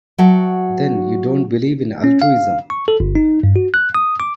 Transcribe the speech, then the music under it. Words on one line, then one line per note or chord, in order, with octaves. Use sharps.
Then you don't believe in altruism.
F#3 F#4 E5 G5 A5
C#4
F5
C#6
A4
G1
D#4
G2
F#4
F#6
D#6
D6